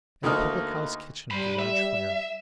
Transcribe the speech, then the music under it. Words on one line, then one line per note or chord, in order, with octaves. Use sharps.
In a public-house kitchen with a large fire.
D2 A3 A#3 D#4 D#5 F6
G3 C5 B5
E5